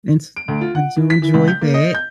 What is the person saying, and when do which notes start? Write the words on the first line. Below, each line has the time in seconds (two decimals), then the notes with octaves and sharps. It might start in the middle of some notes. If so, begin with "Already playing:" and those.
and s I do enjoy that.
0.36 D7
0.48 D2
0.61 F4
0.75 F#5
0.96 E3
1.10 B6
1.22 E3
1.34 C#2
1.48 G6
1.61 A#3
1.74 D#5
1.94 G6